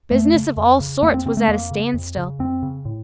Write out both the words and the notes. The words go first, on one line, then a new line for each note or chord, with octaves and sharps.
Business of all sorts was at a standstill.
F2 A3
C#3
F2
C#3
F2 A#3
C4
C#3 C4
A3
F2 A#3
C#3
F2
C#3
F2 C4
C#3
A2